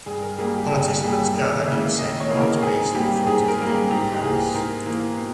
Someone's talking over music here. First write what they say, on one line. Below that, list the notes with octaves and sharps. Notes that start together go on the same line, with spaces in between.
Participants gather in Saint Marks Basin in front of the ducal palace.
G2 G#4
A#4
G3 A#3 G#4
G4
G2 G#4
G4
G3 A#3 G#4
D#2 G#4
C#3 E3 A#3 E5
D#2 D#5
C#5
C#3 E3 A#3
A#4
G#2 G#4
G3 A#3 G4
G#2 G#4
A#4
G3 A#3
G#4
G#2 G4
G4
E3 A#3 G#4
G#2 A#4
E3 A#3
B2